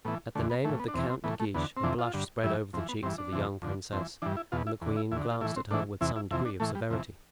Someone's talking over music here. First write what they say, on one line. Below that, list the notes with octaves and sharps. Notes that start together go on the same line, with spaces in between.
At the name of the Count de Guiche a blush spread over the cheeks of the young princess and the queen glanced at her with some degree of severity.
A2 E3 B3
E2 D3 A3
B3
A2 E3 A3
B3
D4
E2 C3 E3 C4
C4
A2 E3 B3
A3
E2 D3 B3
C4
F2 C3 E3 D4
F4
G2 D3
G2 E3 E4
F2 E3 C4
B3
G2 E3 C4
D4
F2 C3 E3
F2 D3
F2 E3 C4
G2 E3 D4
E4
E2 B2 F4
E4
E2 D3
E4
E2 D3 E4
F4
A2 E3 E4
C4
A2 E3 D4
E2 C3 E3 E4
E4
F2 C3 E3 E4
D4
A2 E3 A3
G3
F2 C3 E3